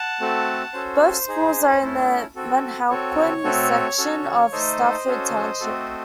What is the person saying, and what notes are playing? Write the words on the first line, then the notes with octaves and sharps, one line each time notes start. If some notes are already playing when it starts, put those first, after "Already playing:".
Both schools are in the Manahawkin section of Stafford Township.
Already playing: F#5 A5
A3 C4 F#4 A4
C#4 F#4 A4 C5
D#4 G#4
A3 C#4 E4 A4
C4 F#4 A4
C4 F#4 A4 C#5
A3 C4 F#4 A4
C#4 F#4 A4
A3 D#4 A4 C5 D#5
C#4 F#4 A4
A3 C4 F#4 A4